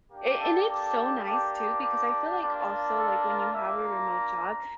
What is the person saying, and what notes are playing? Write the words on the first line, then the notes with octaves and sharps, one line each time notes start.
A and it's so nice, too, because I feel like also, like, when you have a remote job,
A#3 D4 G4
A4
A4
A#3 D4 G4
G4
A#3 D4 F4
A4
A#4
A#3 D4 F4 E5
A#5